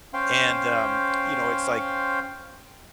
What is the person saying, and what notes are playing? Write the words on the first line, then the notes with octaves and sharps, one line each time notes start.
And, um, you know, it's, like,
C#4 C5 F5 G5 C6